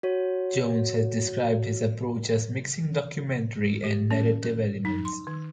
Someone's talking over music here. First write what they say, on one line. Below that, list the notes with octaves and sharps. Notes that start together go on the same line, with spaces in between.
Jones has described his approach as mixing documentary and narrative elements.
F#4 C#5
G4
C#4
A#4
D#4
C6
D#3